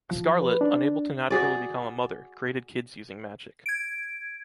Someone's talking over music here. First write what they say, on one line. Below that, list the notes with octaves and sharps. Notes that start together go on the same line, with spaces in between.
Scarlet, unable to naturally become a mother, created kids using magic.
F3
B4
D4
F#4 G#4 D5
G#6 D7